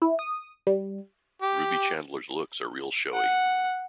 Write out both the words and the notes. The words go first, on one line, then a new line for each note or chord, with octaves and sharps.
Ruby Chandler’s looks are real showy.
E4
D#6
G3
G4
F#5